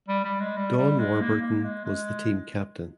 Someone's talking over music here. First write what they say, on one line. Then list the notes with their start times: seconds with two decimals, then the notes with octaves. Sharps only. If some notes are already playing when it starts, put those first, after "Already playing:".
Don Warburton was the team captain.
0.08 G3
0.24 G3
0.40 G#3
0.57 G3
0.78 G3
0.99 G#3
1.21 A#3
1.42 A#3
1.64 G#3
1.85 G#3